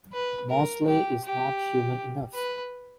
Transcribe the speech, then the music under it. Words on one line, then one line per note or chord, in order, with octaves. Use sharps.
Mosley is not human enough.
B4
A#4
G4
G4
B4